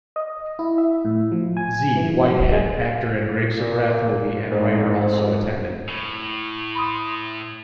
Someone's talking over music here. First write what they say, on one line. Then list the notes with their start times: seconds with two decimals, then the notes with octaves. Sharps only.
Z. Whitehead, actor in Grapes of Wrath movie and writer also attended.
0.16 D#5
0.59 E4
0.78 E5
1.05 A2
1.32 F3
1.57 G#5
1.96 E3
2.25 F#3
2.52 G#3
3.58 A#2
4.52 F2 G#2
5.88 A2
6.75 B5 C6 D#6